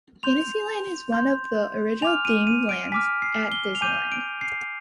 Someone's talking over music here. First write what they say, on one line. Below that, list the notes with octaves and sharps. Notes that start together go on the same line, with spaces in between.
Fantasyland is one of the original themed lands at Disneyland.
C6 G6 F7
C6 G6
G#5 D6 F6 F7
D#7
D#7
D7
G#5 D6 F6 B6
C7
G7
F7
G#5 D6 G6 D#7
D7
C7